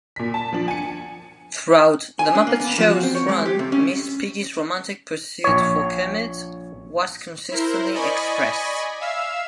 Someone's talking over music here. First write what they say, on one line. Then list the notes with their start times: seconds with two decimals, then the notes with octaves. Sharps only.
Throughout "The Muppet Show"'s run, Miss Piggy's romantic pursuit for Kermit was consistently expressed.
0.16 A#2 B6
0.34 A5
0.53 F3 D4
0.68 G#5 C#7
2.19 G#5
2.35 D4
2.47 A#3
2.60 B3
2.78 F3
2.90 F#4
3.03 C4
3.15 C#5
3.29 G#3
3.46 G4
3.59 C3
3.72 C#4
5.44 A#1 C#5
7.51 E4 A#4 C5
7.94 D5 D#5 G#5 B5 C#6
9.01 E5 F5 E6